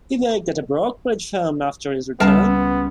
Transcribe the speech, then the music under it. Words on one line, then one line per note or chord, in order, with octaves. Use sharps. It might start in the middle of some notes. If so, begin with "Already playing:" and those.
He worked at a brokerage firm after his return.
C#2 G3 B3 G4 A#4 F5 A5 E6